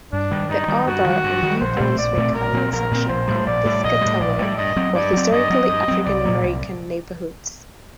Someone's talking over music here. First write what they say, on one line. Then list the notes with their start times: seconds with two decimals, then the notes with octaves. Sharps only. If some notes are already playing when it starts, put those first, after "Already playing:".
The Arbor and New Brunswick Highland sections of Piscataway were historically African American neighborhoods.
0.12 G2 D4
0.31 D#3 G3
0.49 G2 D#4
0.68 D#3 G3
0.87 G2 F#4
1.06 D#3 G3
1.24 G2
1.43 D#3 G3
1.60 A#1 C5
1.80 A#2 A3 C4
1.98 A#1 D5
2.17 A#2 A3 C4
2.35 A#1 A#4
2.53 A#2 A3 C4
2.72 A#1 A#4
2.91 A#2 A3
2.95 C4
3.09 A#1 C5
3.28 A2 G3
3.46 A#1 D5
3.65 A2 G3
3.84 A#1 D#5
4.01 A2 G3
4.20 A#1 D5
4.38 A2 G3
4.57 G2 D#5
4.76 F#3 C4
4.94 G2 D5
5.13 F#3 C4
5.32 G2 D#5
5.50 F#3 C4
5.69 G2
5.88 F#3 C4
6.05 C2 D5
6.25 A#2 F#3 A#3
6.43 C2